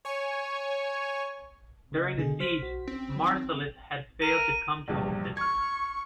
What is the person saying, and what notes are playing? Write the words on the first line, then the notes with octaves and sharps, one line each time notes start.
During the siege, Marcellus had failed to come to his assistance.
C#5 G#5 C#6
C#3 D#5
B2 D3 G#4
C5 F6 B6
B1 F#4
C4 C#4
D#3 F#3
A#4 D#7
A#1 E2 G2
C#6 F6 G#6